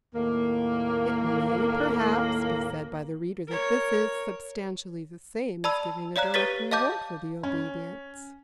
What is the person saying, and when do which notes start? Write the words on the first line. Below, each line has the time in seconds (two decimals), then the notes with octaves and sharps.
It may, perhaps, be said by the reader that this is substantially the same as giving a direct reward for the obedience.
0.15 D#2 A2 A#3
3.47 A#4 C#5
5.64 D5 A5 B5 E6
6.16 C#5 D5 F5 A#5 F#6
6.34 G4 B4 C#5 A6 B6
6.71 D#5 F5 A5 D6 G6
7.43 C#4